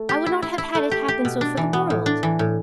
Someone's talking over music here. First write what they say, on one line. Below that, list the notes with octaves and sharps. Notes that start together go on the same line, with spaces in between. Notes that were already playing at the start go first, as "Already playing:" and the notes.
I would not have had it happen so for the world.
Already playing: A3
G4
E4
E4
E4
A3
G4
G4
B2
D4
E3
B3
A2
D4
E3
A2